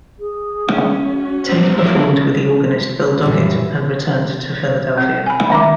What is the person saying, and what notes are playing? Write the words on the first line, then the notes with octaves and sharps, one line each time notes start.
Tate performed with the organist Bill Doggett and returned to Philadelphia.
G#4
C#4
F#4
G3 B3 C4
F#3 A#3 B3 E4 A#4
A#1 F#2 E3 G3
C4
G#5 B5
D#3 E5 A#5 D6